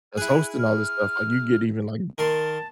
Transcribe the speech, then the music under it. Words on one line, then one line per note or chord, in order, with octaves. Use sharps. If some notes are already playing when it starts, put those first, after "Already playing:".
that's hosting all this stuff, like, you get even, like,
E4 G#4 F#6
F6
D#3 A#4 A5 C6